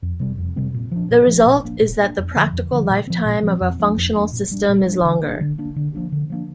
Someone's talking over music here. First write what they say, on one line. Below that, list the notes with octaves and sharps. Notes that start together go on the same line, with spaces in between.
The result is that the practical lifetime of a functional system is longer.
F2
C3 G3 C4
F2
C3 G3 C4
A#2
F3 D4
A#2
F3 D4
A#2
A#3 D4
A#2
A#3 D4
F2
D3 F3
F2
D3 F3
A#2
F3 C4
A#2
F3 C4
F2
F3 A#3 D4
F2
F3 A#3 D4
A#2
G3 D4
A#2
G3 D4
D3
A#3 D4
D3
A#3 D4
D3
F3 A#3 D4
D3
F3 A#3 D4